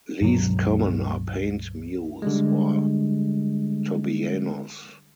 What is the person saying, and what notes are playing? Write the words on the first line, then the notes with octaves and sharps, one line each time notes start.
Least common are paint mules or tobianos.
C#2 G2 B2 F#3
D3 G3 G#3